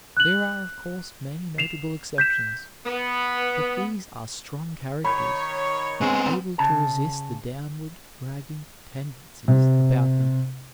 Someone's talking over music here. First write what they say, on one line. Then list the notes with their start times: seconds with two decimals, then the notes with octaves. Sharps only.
There are, of course, many notable exceptions, but these are strong characters, able to resist the downward-dragging tendencies about them.
0.17 F#6 F#7
1.58 C7 E7 F7
2.18 G6 B6 E7
2.85 B3
5.04 D#3 C#5 B5
6.01 G#3 B3 C4
6.58 C#3 A5
9.48 C3